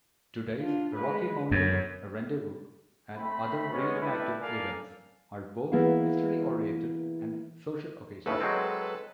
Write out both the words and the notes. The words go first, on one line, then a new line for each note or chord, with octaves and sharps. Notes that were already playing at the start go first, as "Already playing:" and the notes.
Today's Rocky Mountain Rendezvous and other reenacted events are both history-oriented and social occasions.
D4 F4
G#3 B4
F#2 B3 C#5
A3 C4 B5
G#3 B3 C#4
G3 A3 E4 B4
A4 A#4 D5 F5 G#5
E3 A#3 B3 E4 G#4 F5
D#2 A2 C#3 A4 B4
F#3 G#3 C4